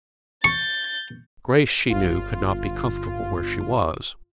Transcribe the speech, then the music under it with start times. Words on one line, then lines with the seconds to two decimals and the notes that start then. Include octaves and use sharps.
Grace, she knew, could not be comfortable where she was.
0.44 C#6 G6 A6
1.90 G1 F4